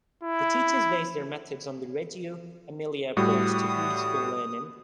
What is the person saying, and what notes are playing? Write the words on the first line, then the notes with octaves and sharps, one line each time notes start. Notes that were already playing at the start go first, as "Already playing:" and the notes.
The teachers base their methods on the Reggio Emilia approach to pre-school learning.
E4
A2 G3 F#4 D#6